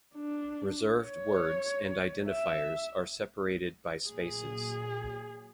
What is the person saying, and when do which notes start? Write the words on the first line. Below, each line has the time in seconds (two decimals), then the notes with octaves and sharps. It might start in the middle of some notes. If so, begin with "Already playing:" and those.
Reserved words and identifiers are separated by spaces.
0.15 D4
1.02 C#5
2.28 E5
4.08 A#2 F#3 G#4